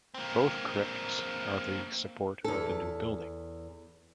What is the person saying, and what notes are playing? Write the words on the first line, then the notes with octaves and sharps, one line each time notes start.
Both crypts are the support of the new building.
A#3 C4
E2 A4